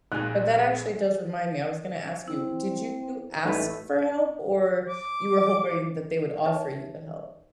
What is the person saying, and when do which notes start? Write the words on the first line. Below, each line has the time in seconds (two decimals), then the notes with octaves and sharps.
But that actually does remind me, I was gonna ask you. Did you ask for help or you were hoping that they would offer you the help?
0.12 A#1 A#2 D#4 G#4 G#5 F#6
2.28 C4 E4
3.45 A1 A3 D#4 B4
4.88 D6
6.45 D#4 B4 C#5 E5